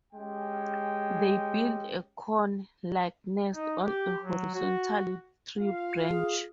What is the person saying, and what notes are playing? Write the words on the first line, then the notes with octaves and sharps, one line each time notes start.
They build a cone-like nest on a horizontal tree branch.
G#3 C#4 G4 G5
D#4
G4
F#3
F#4
F4 F5
G#4